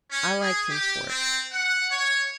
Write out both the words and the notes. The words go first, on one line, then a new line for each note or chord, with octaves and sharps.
I like him for it.'
C#4
G#4
G4
C4
F#5
C#5